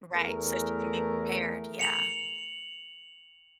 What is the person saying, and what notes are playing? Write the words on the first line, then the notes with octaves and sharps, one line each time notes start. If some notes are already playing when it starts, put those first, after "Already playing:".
Right, so she can be prepared. Yeah.
E2 A3 G#4 A#4
C#7 F7 F#7